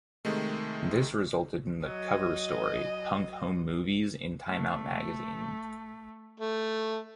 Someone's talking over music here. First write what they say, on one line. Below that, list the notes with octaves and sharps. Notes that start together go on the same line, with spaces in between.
This resulted in the cover story, "Punk Home Movies" in "Time Out" magazine.
C3 D#3 G#3 A3
F#3 D#5
A3
A3